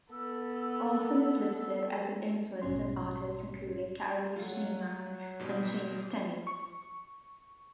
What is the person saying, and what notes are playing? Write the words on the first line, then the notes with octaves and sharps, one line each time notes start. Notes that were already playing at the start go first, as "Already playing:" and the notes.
Olson is listed as an influence on artists including Carolee Schneemann and James Tenney.
B3 A4 E6
A#1 G#2 B2 C#4 C6
F#3 A3 F4
G#2 B2 G3
C#6